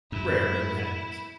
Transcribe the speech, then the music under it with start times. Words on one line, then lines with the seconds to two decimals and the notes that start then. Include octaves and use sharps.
Rare, but it happens.
0.12 F#2 E4